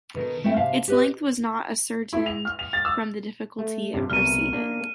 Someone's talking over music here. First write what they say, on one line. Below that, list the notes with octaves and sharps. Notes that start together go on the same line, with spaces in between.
Its length was not ascertained from the difficulty of proceeding.
B2 D#3 A4 A#4
A3 C4 E4 E5 G5
C3 E5 F5 A5
G4 B4 D#5
E4
F7
F6
F7
A6
E6
A3
G2 C3
C2 B2 A#4 F6 D#7
A#3 D4